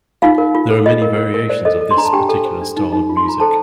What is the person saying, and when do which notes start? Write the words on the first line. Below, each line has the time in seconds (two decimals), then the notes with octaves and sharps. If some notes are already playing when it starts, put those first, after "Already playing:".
There are many variations of this particular style of music.
0.22 D#4 F4 F5
0.38 A#4
0.55 F4
0.70 A4
0.86 F4 D#5
1.02 A#4
1.18 A#4
1.34 A#4
1.49 C5 D5
1.65 A4 D#5
1.81 A4
1.91 C6
1.97 D4 A#5
2.05 A5
2.13 D4 G4 G5
2.29 A4
2.45 C5
2.62 D4
2.77 D#4
2.93 D#4
3.09 F4
3.17 C6
3.25 F4 A#5
3.40 A4 C5 A5